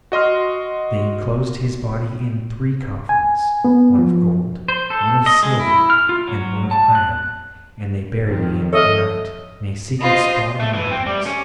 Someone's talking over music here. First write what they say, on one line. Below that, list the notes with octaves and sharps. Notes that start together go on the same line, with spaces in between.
They enclosed his body in three coffins--one of gold, one of silver, and one of iron--and they buried him at night, in a secret spot in the mountains.
F#4 D#5 C6 F6
G#5
B3
F3
C5
A4
D#5
G#3
E4
F6
F4
F#3
A5
F#6
D#3 F3 C4
A4 C#5 D#5 E5 F6
F4 C5 D#5
A3
E3
C4
G3
C#4